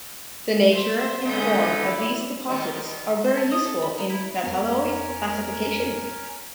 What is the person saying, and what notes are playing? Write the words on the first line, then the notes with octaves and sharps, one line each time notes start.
The nature and form of these deposits are very useful in nautiloid classification.
C5 E5
D3 G#3 A3 B3 C#4 D#6 G6
E4 D5
B2 D#3 G3
C5
A5
D#5
A4
B5
A#4
E4
F2 B3 C#4 A#4 F6